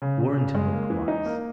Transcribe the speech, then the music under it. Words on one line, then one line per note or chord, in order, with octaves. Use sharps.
Warrenton looked wise.
C#3
C#3
C#3
G#3
A#3
E3
D#4
A#3